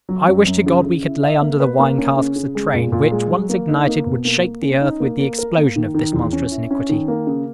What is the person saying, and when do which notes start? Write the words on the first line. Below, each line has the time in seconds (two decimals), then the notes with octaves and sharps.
I wish to God we could lay under the wine-casks a train, which, once ignited, would shake the earth with the explosion of this monstrous iniquity.
0.09 F#3
0.27 F#2
0.47 F#2
0.66 C#3
0.85 C#3
1.04 E4
1.23 E5
1.42 A#3
1.60 B4
1.79 A#3
1.98 C#4
2.17 C#3
2.36 C#3
2.55 G#3
2.74 A#2
2.92 A#2
3.12 G#3
3.30 F#3
3.49 A#3
3.68 D#4
3.87 A#3
4.06 B2
4.25 A#3
4.44 A#3
4.62 C#4
4.81 D#4
5.00 A#3
5.19 A#3
5.38 A#4
5.57 A#3
5.76 D#3
5.94 D#3
6.13 E2
6.33 C#4
6.51 E4
6.71 C#4
6.89 D#3
7.08 A#3
7.27 C#3